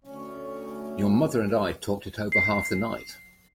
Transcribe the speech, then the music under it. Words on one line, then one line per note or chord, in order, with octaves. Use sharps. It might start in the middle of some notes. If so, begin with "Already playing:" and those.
Your mother and I talked it over half the night.
D2 C#4
C7